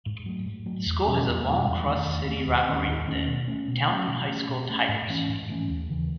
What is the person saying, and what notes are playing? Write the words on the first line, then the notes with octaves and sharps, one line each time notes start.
The school has a long, cross-city rivalry with the Taunton High School "Tigers".
G#2
F#3 A3
G#2
F#3 A3
E2
B2 G#3 C#4
E2
B2 G#3 C#4
E2
D#3 A3
E2
D#3 A3
D#2
D#3 A3 C#4
D#2
D#3 A3 C#4
B2
A3 C#4
B2
A3 C#4
B2
A3 C#4
B2
A3 C#4
G#2
E3 A3 C#4
G#2
E3 A3 C#4
D#2
C#3 E3